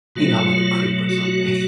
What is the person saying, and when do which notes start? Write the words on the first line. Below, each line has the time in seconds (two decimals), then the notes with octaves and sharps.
think I'm like a creep or something.
0.16 B2 F#3 A3 F4
1.09 F#4
1.17 F4
1.25 F#4